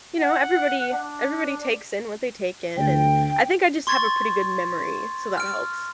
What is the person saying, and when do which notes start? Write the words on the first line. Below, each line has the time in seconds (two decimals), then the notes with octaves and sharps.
you know, everybody everybody takes in what they take in, and I think I just have a pretty good memory, so that helps.
0.20 F#5
0.93 D4
2.77 D2 G5
3.87 C6 C#6 G#6 A6
5.37 F6 D7